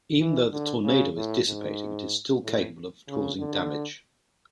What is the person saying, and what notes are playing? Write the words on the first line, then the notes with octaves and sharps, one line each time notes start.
Even though the tornado is dissipating, it is still capable of causing damage.
E3
D3
C#3
A2
G#2
A2
C#3
D3